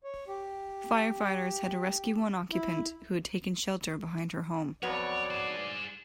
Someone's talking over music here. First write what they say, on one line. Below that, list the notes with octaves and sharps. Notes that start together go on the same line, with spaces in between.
Firefighters had to rescue one occupant who had taken shelter behind her home.
C#5
G4
E4
F2 F#3 B3 C#5 D5
G#4 C5